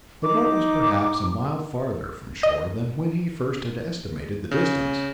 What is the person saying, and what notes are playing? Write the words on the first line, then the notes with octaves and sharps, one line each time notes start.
The boat was perhaps a mile farther from shore than when he first had estimated the distance.
D#4 D6
D#5
C#3